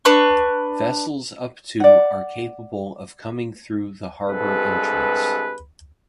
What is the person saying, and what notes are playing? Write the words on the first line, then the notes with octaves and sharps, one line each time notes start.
Vessels up to are capable of coming through the harbour entrance.
D4 B4 C#6
D5 F#5
C2 G2 G#3 A4 B4